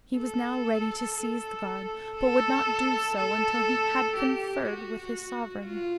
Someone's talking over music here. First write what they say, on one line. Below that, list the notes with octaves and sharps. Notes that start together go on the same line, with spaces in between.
He was now ready to seize the guard, but would not do so until he had conferred with his sovereign.
A4
A4
A4
A4
G4
F#4
F4